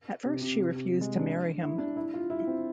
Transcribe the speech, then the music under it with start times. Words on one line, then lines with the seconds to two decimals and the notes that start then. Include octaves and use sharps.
At first she refused to marry him.
0.24 C3
0.42 C3
0.59 C3
0.75 C3
0.93 C3
1.01 G#3
1.19 D4
1.62 E4
1.78 D4
1.97 E4
2.14 F4
2.30 E4
2.47 C4